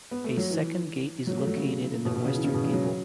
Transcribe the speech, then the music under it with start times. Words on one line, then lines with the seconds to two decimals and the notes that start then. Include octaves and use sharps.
A second gate is located in the western gable.
0.11 B3
0.24 A3
0.37 F#3
0.50 E3
1.27 F#3
1.38 A3
1.47 F#3
1.56 C#3
2.05 B2
2.16 B2
2.25 C#3
2.34 E3
2.44 C#3
2.54 B2
2.64 C#3
2.73 F#3